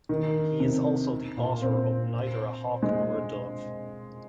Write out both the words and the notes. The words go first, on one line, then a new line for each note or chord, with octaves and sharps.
He is also the author of 'Neither a Hawk Nor a Dove.
D#3
C3
A#2
C4
G#3